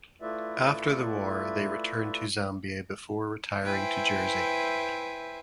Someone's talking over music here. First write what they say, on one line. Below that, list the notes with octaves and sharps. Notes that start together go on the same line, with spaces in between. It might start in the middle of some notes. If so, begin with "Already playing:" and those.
After the war they returned to Zambia before retiring to Jersey.
A3 E4 F4 B4 D5 E5
E4 B4 C5 E5 G5 G#5